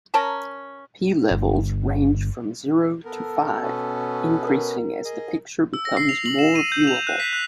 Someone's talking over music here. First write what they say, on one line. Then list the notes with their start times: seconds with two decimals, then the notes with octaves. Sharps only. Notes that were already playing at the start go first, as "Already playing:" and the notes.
P levels range from zero to five, increasing as the picture becomes more viewable.
0.14 C#4 A#4 A5 A#5
1.31 G1
3.05 B3 A4 A#4
3.62 B2 B3 C#4
4.47 A#4
5.05 G#4 D#5
5.74 E6
5.85 A#6
5.97 C7
6.09 F7
6.26 F#7
6.39 E7
6.55 D#7
6.72 G6
6.87 F7
7.07 F#6
7.20 B6
7.33 F#6